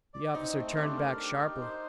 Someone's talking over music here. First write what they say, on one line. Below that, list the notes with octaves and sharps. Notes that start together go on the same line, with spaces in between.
The officer turned back sharply.
D5
C4 D#4
A3
D4 G4
A#4
G4
D#4
C5